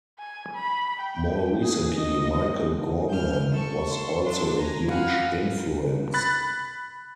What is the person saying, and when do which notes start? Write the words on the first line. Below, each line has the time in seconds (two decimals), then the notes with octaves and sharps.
More recently Michael Gorman was also a huge influence.
0.19 G#5
0.55 B5
1.00 G5
1.62 G#4
1.97 D#5
3.08 F6 G6
3.50 A4 C#6
3.90 C6
4.22 F#3 D4 F4
4.56 G#5 A#5
4.88 F5 F#5 G#5 B5
6.14 B5 F#6 A6